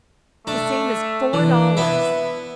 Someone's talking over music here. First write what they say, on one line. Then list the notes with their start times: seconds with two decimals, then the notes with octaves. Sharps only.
The same as four dollars!
0.47 A3 D4
1.33 E3 D4
1.77 B3 E4 E5